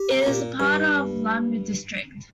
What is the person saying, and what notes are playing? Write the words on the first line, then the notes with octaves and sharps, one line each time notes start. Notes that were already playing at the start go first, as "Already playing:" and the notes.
It is a part of Lamu District.
Already playing: G4
C3
C3
A#2
G2